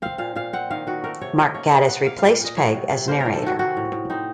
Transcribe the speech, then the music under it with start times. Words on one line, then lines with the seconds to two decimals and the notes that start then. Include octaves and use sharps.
Mark Gatiss replaced Pegg as narrator.
0.02 C4 F5
0.18 A#2 F5
0.35 A#2 F5
0.53 C4 F#5
0.70 D#3 F5
0.87 D#3 F#4
1.04 A3 A#4
1.21 C3 C#5
1.38 C#4 D#5
1.54 A#3 C#5
1.72 C3 D#5
1.88 C3 F#5
2.06 A#3 F5
2.19 A#2 F5
2.41 A#2 D#5
2.57 F#3 C#5
2.74 C3
2.90 C3
3.08 A#3 C5
3.20 A#4
3.25 D#3
3.33 A4
3.43 D#3 F#4
3.59 C4 F#4
3.77 A2
3.92 A2
4.10 C4 D#4